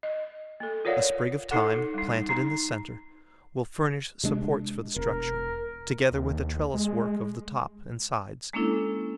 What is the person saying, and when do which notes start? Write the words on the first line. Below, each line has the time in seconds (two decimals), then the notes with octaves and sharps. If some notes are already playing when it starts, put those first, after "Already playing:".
A sprig of thyme, planted in the centre, will furnish supports for the structure, together with the trellis-work of the top and sides.
0.03 D#5
0.60 A#3 A4
0.85 F4 A#4 C#5 D5 F5 F#5
1.51 D#4 E4 A4 F#5
1.94 G3 D#4
2.29 D#4 A#5
4.23 C3 G#3 D4
4.96 E1 A#4
6.12 D#2
6.74 G#3
8.53 G#3 A#3 C#4 D4 E4 A4